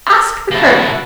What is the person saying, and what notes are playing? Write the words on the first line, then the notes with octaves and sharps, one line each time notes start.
"Ask the Colonel."
A#3 E4 F#4 F#5 A5